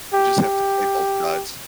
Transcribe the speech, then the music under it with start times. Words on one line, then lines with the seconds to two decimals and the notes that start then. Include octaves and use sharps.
you just have to play both sides.
0.12 G4
0.41 G4